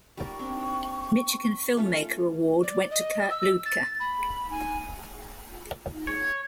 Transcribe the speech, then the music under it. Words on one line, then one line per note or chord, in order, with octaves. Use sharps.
Michigan Filmmaker Award went to Kurt Luedtke.
G3 A#4 D5 C#6
C4 D4
A3 C#4 F4
D5
D#5
E6
A6
B5
G#5
C#5